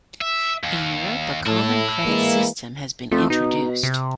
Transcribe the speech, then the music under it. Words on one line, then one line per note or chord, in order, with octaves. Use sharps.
In Europe, a common credit system has been introduced.
E5
D#2
A2 E4 A5
E3 G#3 A#3
F2 A3
B2 D#4
C3